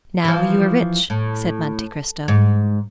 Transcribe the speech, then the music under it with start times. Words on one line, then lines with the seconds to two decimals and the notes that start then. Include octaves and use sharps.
"Now you are rich," said Monte Cristo.
0.25 E3 F3
1.10 A2
2.28 G#2